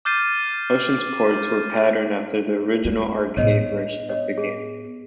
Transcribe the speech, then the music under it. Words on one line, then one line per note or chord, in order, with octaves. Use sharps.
Ocean's ports were patterned after the original arcade version of the game.
D6 F6 G6 A6 C7 D#7
G#3
A2 B3 C#5 D#5
C#5 D#5
G#4